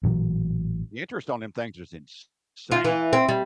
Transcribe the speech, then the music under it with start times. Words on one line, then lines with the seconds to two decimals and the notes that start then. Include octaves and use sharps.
The interest on them things is ins sane.
0.03 A1 A#2 E3 F#3
2.72 F4
2.85 E3
3.13 C4
3.29 G3